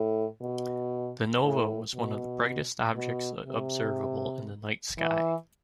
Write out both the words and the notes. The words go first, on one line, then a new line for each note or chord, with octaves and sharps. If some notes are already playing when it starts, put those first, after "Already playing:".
The nova was one of the brightest objects observable in the night sky.
Already playing: A2
B2
A2
B2
B2
C3
E3